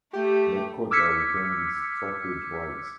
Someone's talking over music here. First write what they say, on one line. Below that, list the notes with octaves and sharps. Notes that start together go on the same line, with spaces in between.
Nebkota retained its trackage rights.
A3 G4
D6 E6 F6 G#6 B6 C#7